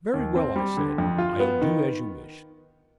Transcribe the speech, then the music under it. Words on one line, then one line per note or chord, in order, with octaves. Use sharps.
"Very well," I said; "I'll do as you wish."
D#2
C4
G3
D3
F2
F4
B3
D#3